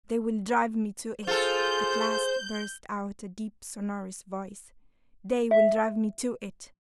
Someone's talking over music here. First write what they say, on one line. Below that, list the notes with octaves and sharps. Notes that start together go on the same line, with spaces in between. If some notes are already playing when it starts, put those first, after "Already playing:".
'They will drive me to it!' at last burst out a deep sonorous voice. 'They will drive me to it....
F4 G#4 A4 C5 G6
E5